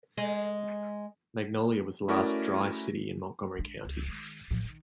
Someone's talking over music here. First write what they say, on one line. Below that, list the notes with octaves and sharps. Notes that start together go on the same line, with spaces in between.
Magnolia was the last "dry" city in Montgomery County.
G#3
A3 C#4 E4 F#4 A#4 D5
G#3 D4
C#2
D#3 G#3
A2 F3
D#3